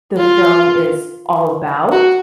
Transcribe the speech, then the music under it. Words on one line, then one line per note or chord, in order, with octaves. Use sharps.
the film is all about.
F4
F#4